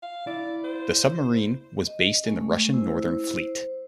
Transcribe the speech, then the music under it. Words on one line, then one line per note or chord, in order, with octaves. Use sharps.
The submarine was based in the Russian Northern Fleet.
F5
E4 D5
C5
D#5
G#3 A3 C#4
E4 C5
C5